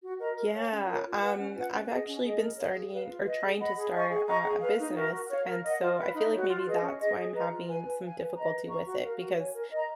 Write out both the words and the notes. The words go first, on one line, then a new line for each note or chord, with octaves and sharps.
Yeah. Um, I've actually been starting or trying to start, uh, a business, and, so I feel like maybe that's why I'm having some difficulty with it, because
F#4
A#4 D#5 A#5
A#4
C#5 F5 G#5
C#4
F4 A#4 C#5
F4
B4 F#5
C#4
F4 B4 F#5
C#4
G#4 D#5
C#4
G#4 D#5
A#4
C#5 F5
G#4
B4 F5
F4
B4 D#5
G#4
D#5 F#5 B5
G#4
D#5 G#5 C#6
G#4
D#5 A#5 C#6
G#4
B4 F5
D#4
F#4 A#4
F#4
C#5 F5
A#4
D#5 F#5
F4
B4 F5
D#4
F#4 C#5
F4
G#4 B4 D#5
C#4
G#4 D#5
G#4
B4 D#5 A#5
F4
B4 F5 G#5
B4
F5 G#5
B4
D#5 A#5
B4
F5 A#5 C#6
F#4
A#4 F5
F#4
C#5 G#5
A#4
D#5 A#5